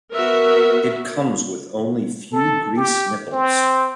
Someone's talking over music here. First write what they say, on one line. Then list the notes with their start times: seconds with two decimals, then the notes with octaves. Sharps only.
It comes with only few grease nipples.
0.14 B3 F#4 A#4 E5
2.33 A4
2.76 G4
3.32 C4